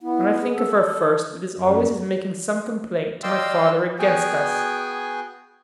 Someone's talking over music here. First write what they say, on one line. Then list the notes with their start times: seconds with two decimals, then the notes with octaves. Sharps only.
When I think of her first, it is always as making some complaint to my father against us.
0.01 B3 E4
0.41 G#4
0.56 A4
1.55 F#2
3.23 D5 D#5 F5 G5 C6 E6
3.99 B3 F#4 G#4 G5 G#5